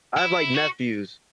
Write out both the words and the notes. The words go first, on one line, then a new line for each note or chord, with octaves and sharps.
I have, like, nephews.
E4
F#4